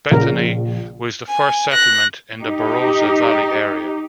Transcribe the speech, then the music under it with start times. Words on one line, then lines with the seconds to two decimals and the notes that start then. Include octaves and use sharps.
Bethany was the first settlement in the Barossa Valley area.
0.11 A#1 C#3 A#4
1.29 G#5
1.72 F#6 A#6
2.41 D#4 G4